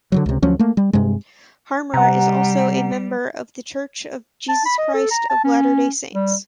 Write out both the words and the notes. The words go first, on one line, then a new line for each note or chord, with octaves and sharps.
Harmer is also a member of The Church of Jesus Christ of Latter-day Saints.
D3 D#3 F#3
C#2 C3
D2 F3 F#3 C#4
A3 A#3
G3
G2 C3 G#3
C3 G3 F#5 A#5
A5
B5
D#5
A4
A#5
A5
C#4
G3